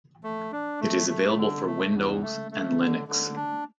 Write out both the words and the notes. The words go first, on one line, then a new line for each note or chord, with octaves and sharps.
It is available for Windows, and Linux.
A3
D4
A3
A3
D3
A3
E2
A3
A3
D3
D3
D4